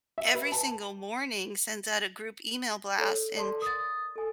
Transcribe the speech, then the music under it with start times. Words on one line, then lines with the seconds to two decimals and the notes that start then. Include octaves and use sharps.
every single morning sends out a group email blast, and
0.18 E5
0.35 B4
0.52 A5
2.98 A4 C#5
3.37 A4 D5 A5 C6
3.62 A#4 D#6 A6
4.16 A4 G#5